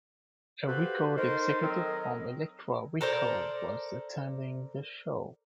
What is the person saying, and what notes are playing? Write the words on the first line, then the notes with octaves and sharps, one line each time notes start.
A record executive from Elektra Records was attending the show.
F#4 G4 A4 B4 C5 F5
D#4 A4 A#4 C5
D#3 F#3 C4 A4 A#4 D#5
A4 A#4 C5 D5